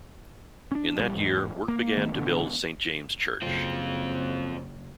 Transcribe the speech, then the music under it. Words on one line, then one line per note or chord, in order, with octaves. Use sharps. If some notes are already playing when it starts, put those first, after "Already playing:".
In that year, work began to build Saint James' Church.
C#4 D4
A#1 D3 G3
E2 G#2
A#3
D#3 A3 B3
A1 B2 D3
F#1 C4 F4